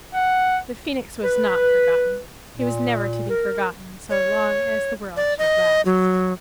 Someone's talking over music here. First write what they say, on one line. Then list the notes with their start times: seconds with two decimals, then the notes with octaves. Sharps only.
The Phoenix was not forgotten; he was never to be forgotten so long as the world should last.
0.15 F#5
1.23 B4
2.56 A#2
3.29 A#4
4.10 C#5
5.17 D5
5.39 D#5
5.85 F#3